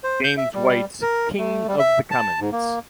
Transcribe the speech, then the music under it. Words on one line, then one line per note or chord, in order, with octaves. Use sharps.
James White's "King of the Commons".
C5
G6
E5
G3
A#4
A3
G3
E5
A5
G#2
A#3